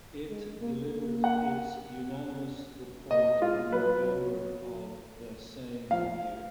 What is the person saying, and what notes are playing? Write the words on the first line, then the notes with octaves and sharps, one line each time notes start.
It delivered its unanimous report in November of the same year.
G#3
A#3
A#3
F#5
A#3 D#5
G#3 F4
F#3 B4
F#3
F3 F5